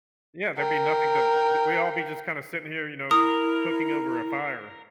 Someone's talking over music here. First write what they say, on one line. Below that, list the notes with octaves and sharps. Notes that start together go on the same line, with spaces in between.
Yeah, there'd be nothing to d we all be just kinda sitting here, you know, cooking over a fire.
A#4 G5
E4 A#4 D#6